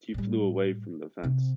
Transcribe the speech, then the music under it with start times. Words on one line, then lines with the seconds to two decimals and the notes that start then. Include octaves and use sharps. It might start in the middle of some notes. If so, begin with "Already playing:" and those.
He flew away from the fence.
0.14 A2 G3
1.23 C3 C4